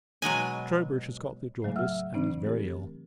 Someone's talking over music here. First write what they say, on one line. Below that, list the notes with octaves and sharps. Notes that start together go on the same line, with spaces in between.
Troubridge has got the jaundice, and is very ill.
B2 F#3 G#3 G#5
A2 C#3 F#3 A3
E5 F#5 E6 F6
C#3 E3 C4 D4 D#4
A3 G4 A#4